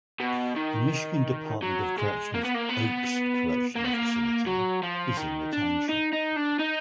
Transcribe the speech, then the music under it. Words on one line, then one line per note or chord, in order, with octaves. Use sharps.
The Michigan Department of Corrections Oaks Correctional Facility is in the township.
B2
D#3
F#3
G#3
A#3
B3
A#3
B3
A#3
B3
A#3
F#3
F3
D#3
D4
D#4
D#4
D4
D#4